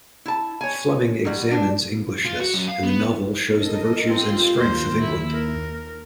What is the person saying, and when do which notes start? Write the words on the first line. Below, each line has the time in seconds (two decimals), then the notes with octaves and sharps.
Fleming examines Englishness, and the novel shows the virtues and strength of England.
0.25 E4 A5
0.61 C#5 G#5
1.25 F#3 G3
1.51 D4
2.25 F4
2.40 F#4
2.54 F#2
2.68 F5
2.83 B3
3.56 A4 A#4 D#5
4.07 C4 F4 G4 C6
4.55 D#2 A#3 C5
4.99 E4
5.31 A#4